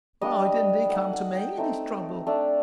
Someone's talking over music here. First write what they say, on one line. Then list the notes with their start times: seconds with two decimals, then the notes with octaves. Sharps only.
"Why didn't he come to me in his trouble?"
0.21 G3 D4 D#5
0.89 A3 D#4 F#5
1.13 F#5
1.35 G5
1.58 A3 C4 D#4
2.27 A3 D4